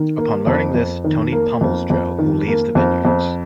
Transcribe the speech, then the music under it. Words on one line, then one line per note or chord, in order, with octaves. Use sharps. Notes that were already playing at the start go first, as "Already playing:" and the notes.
Upon learning this, Tony pummels Joe, who leaves the vineyards.
Already playing: D#3
A#3
F2
F2
D#3
A#3
F2
F2
D#3
A#3
F2
F2